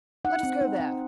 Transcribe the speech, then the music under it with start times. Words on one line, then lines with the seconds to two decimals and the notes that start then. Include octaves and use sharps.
Let us go there!
0.25 D#4 F#5
0.43 C4
0.61 D#4
0.79 C4